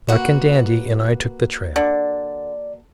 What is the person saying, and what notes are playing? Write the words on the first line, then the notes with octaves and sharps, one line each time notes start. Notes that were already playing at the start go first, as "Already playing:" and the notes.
Buck and Dandy and I took the trail.
A#3 F#4 B4
D3 D5